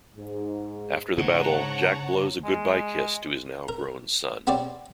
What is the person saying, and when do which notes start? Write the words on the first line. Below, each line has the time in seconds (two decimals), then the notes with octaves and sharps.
After the battle, Jack blows a goodbye kiss to his now grown son.
0.16 G#2
1.18 G#2 C#3 C#5 F#5 A5 A#5
2.44 G#3
3.69 A#4
4.47 B3 C4 G4 C#5 D5